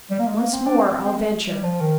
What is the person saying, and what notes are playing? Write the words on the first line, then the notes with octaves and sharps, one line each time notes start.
Once more I'll venture.
G3
A#3
G#3
A#3
C4
D4
C4
C4
C4
G#3
G3
F3
D#3